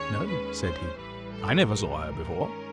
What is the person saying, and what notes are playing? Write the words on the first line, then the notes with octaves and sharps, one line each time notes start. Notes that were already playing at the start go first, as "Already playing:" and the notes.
No, said he, I never saw her before.
Already playing: D#2 D#3 G#3 C#4 C#5
B4
C5
A1 A2 E3 G3 B4
A4
A#4
G2 D#3 G#3 C#4